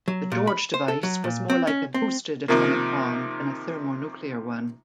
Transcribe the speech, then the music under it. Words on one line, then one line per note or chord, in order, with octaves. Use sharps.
The "George" device was more like a "boosted" atomic bomb than a thermonuclear one.
F#3
A#2
B5
C5
A4
F#3
A#2
C4
C#4
C4
C3 D#3 F3 A#3